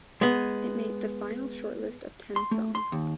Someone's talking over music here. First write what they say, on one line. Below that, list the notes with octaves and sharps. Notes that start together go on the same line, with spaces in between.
It made the final shortlist of ten songs.
G#3 B3
C6
A3
C6
D#2